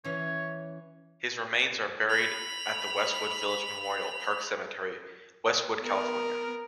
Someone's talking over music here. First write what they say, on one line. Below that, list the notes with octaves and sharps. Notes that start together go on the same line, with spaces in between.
His remains are buried at the Westwood Village Memorial Park Cemetery, Westwood, California.
E3 C#4 C#5
B5 F7
B3 A#4